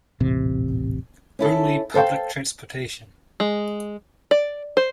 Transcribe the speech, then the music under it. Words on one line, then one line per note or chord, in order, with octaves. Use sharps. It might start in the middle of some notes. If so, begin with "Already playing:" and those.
Only public transportation.
D#1 A1 C3
C#4 E4 A4
A4 C5 F5 G5
G#3
D5
C5